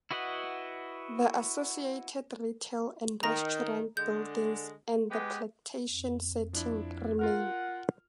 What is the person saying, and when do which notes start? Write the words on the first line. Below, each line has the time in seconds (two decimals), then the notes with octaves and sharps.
The associated retail and restaurant buildings and the plantation setting remain.
0.11 E4 F#4 B4 D#5 F#5
3.23 D#3 A#5 A#6
3.97 D3 G#3 G6
5.11 G#3 B3 G4
5.89 F2
6.53 F3 D4 E4
7.19 F4 A#4 F#5 F6